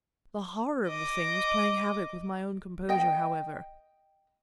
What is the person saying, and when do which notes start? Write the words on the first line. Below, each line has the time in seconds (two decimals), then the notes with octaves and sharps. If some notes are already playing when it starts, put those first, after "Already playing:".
The horror of the thing was playing havoc with my own composure, however.
0.86 D#5 D6
2.89 D#5 G5